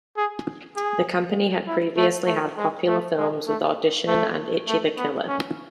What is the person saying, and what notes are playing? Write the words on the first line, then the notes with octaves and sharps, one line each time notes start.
The company had previously had popular films with "Audition" and "Ichi the Killer".
G#4
G#4
E4
A3
A3
G#3
A3
G#3
A3
A3
A3
B3
C#4